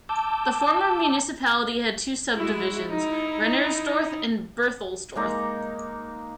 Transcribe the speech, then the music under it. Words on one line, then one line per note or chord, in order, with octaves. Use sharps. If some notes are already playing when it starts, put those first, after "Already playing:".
The former municipality had two subdivisions: Rennersdorf and Berthelsdorf.
A5 D6 E6 G6
G#3 E4 F#4
D#4 E4
G#3 A#3 D#4 A#5